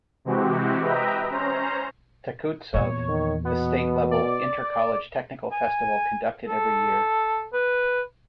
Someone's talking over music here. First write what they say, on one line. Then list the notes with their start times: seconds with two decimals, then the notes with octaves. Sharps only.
Techutsav - a State level inter college technical festival conducted every year.
0.25 C3 E3 G#3 C4 F#4 G4
0.82 B4 D#5 E5 G5 A#5
1.30 C#4 C5 A#5
2.74 E2 A#2 C#5
3.08 D#3
3.45 B2 B3
4.11 D5
5.52 G#5
6.46 A4
7.53 B4